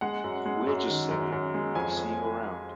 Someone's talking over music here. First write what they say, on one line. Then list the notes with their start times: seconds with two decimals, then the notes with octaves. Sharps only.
We'll just say, 'see you around.
0.01 G#3 F#5
0.24 F#2
0.46 G#3
0.67 F#2
0.89 D#3
1.11 F#2
1.32 F#2
1.54 G#3
1.75 F2 G#5
1.97 F2